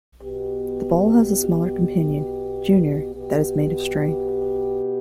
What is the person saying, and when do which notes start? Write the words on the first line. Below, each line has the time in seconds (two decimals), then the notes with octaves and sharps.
The ball has a smaller companion, "Junior", that is made of string.
0.23 B2 B3 G4
3.13 B2 B3 G4